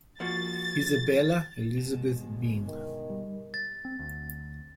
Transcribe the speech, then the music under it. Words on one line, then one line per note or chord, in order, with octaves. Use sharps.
Isabella Elizabeth Byng.
F3 A#3 F#4 A6
G1 B2 G#3
D#3
G3
A6
C4
D2